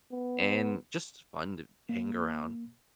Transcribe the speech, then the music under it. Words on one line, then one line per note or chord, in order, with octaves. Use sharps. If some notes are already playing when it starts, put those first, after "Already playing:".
and just fun to hang around.
B3
A#3